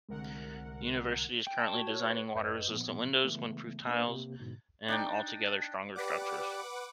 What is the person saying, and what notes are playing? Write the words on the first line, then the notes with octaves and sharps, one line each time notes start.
The university is currently designing water-resistant windows, wind-proof tiles and altogether stronger structures.
C2 D3 G#3 A#4 F#5
G5
A5
F#4
C#5
B4
G#1 F#2 B4 D#5 G6
A#2 F3 B3
C#3 E3 G#3 A3 B3
A#3 D4 B4
C3 A#3
G#2 B2 D3
D4 D#4 G5
G4 B4 D5 F#5 D6